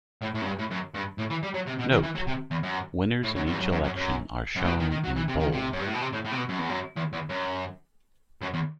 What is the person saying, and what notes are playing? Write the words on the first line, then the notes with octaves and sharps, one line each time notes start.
"Note: Winners in each election are shown in" bold.
A2
A2
F#2
G2
A2
F#2
G2
A2
E3
G3
F#3
C3
B2
D#3
E3
F#3
C3
E2
F#2
A2
F#2
E2
G2
F#2
F#2
F#2
F#2
F#2
A2
B2
D#3
D#3
F#3
E3
C3
D#3
C3
F#2
G2
A2
B2
C3
A2
A2
C3
B2
F#2
E2
F#2
E2
E2
F#2
F#2
E2